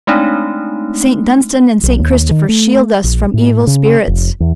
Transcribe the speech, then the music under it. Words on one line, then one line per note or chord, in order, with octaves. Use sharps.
"Saint Dunstan and Saint Christopher shield us from evil spirits!"
G#3 A3 C4 D4 D#4
B1
D#2
D#3
A3
A#1
A2
C#3
F1
E2